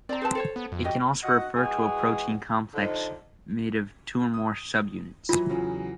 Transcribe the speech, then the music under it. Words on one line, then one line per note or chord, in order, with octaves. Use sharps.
It can also refer to a protein complex made of two or more subunits.
C4 D5 A#5
G#4 B4 A5
A4 C5 C#5
B3
F2
F#4 G4 D#5
F#4 D#5 F#5
E3 G#3 F#4 G#4
D3 F3 D#4
D#6
E3 F#3 F4
E2 C#3 F#3